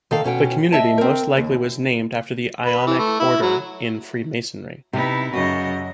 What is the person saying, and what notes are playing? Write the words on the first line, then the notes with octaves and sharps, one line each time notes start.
The community most likely was named after the Ionic order in Freemasonry.
D#3 A4 F5
B2 C#4 F#4 G5
D#5 E5 A5
C4 A#4
D#2
B4
E3
A3
E4
F#3
C3 B3 D#4 E4
F#2 C#3 F#4 D#5